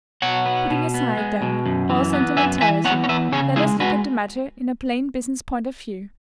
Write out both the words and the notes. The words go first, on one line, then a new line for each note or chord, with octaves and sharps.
Putting aside, then, all sentimentality, let us look at the matter in a plain business point of view.
B2 C#5 F#5
B3
B2
B3
G#3
B2
F#2
E3
B3
F#2 E5 G#5
E3 E5 G#5
B3 C#5 F#5
C#5
E3 B4 E5
C#3 G#4 C#5
G#3 E4 G#4
G#3 F#4 B4